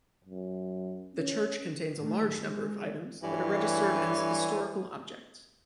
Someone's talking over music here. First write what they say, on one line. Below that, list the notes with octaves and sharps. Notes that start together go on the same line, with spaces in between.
The church contains a large number of items that are registered as historical objects.
F#2
C#4
D#3 A3
G#3
G2 E3 G3 A4 C#5 G#5